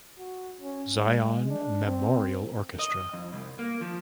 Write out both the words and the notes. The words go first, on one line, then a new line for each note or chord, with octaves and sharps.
Zion Memorial Orchestra.
F#4
C#4
G#3
D4
C4
D#5
F2
C2
A#3
F3